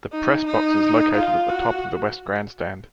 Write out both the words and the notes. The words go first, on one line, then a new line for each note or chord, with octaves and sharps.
The press box is located at the top of the west grandstand.
D#4
D#4
F4
F#4